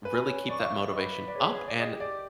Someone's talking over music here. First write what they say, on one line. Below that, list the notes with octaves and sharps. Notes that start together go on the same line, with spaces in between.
really keep that motivation up and
B4 G#5
C#5
D5 C#6
F5
E5
B4 D#5
D5
G#4 C#5
D5
G4 D#5
D5